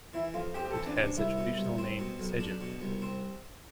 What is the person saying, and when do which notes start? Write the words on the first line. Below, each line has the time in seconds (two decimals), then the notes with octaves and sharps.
It has the traditional name Segin.
0.14 E3 E4
0.34 F2 F4
0.54 C4 G4
0.65 G4
0.71 A4
0.75 E3
0.86 D4
0.97 C3 D4
1.16 C2 E4
1.38 B2
1.57 C2
1.78 C4
1.99 B2
2.20 B1
2.40 D4
2.61 B2
2.81 C2
3.02 C4